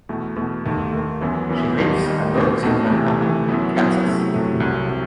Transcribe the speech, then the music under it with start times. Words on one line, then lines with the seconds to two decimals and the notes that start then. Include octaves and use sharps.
She lives and works in Manhattan, Kansas.
0.09 E2 B2 A3
0.36 E2 B2 A3
0.65 D#2 D#3 A3
0.93 D#2 D#3 A3
1.21 F#2 E3 B3 E4
1.49 F#2 E3 B3 E4
1.78 D#2 D#3 G3 D#4
2.06 D#2 D#3 G3 D#4
2.34 E2 B2 A3 C4 D#4
2.63 E2 B2 A3 C4 D#4
2.91 C3 E3 A3
3.19 C3 E3 A3
3.48 F#2 F#3 B3 E4
3.75 F#2 F#3 B3 E4
4.05 C3 F#3 A3 E4
4.32 C3 F#3 A3 E4
4.60 C2 C3 F#3
4.90 C3 F#3